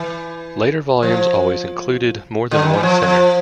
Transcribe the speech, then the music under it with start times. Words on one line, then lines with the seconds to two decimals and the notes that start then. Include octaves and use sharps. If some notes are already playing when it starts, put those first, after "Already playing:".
Later volumes always included more than one singer.
Already playing: E3
1.03 F3
2.51 D3
2.62 D#3
2.73 E3
2.83 F3
3.03 F3